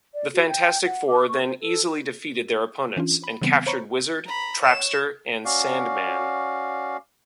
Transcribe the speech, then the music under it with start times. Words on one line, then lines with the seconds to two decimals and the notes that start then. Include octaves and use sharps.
The Fantastic Four then easily defeated their opponents, and captured Wizard, Trapster, and Sandman.
0.14 D5
0.34 F#4
0.48 G5
0.85 F#5
1.08 D6
1.29 C#6
1.43 C5
1.61 A4
2.97 E3 C#4 D4 F4
3.24 B5
3.42 C#3 E3 G3 B3 C4
3.66 C5 C#5 A#5 B5 C#6
4.26 A#5 B5
4.60 C#5 E7
5.45 C#4 F#4 D5 F5